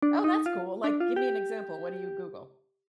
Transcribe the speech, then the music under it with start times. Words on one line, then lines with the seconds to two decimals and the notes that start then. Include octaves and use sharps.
Oh, that's cool, like, give me an example. What do you Google?
0.02 D4
0.24 D#4
0.46 F4
0.84 D4
1.00 F4
1.16 G4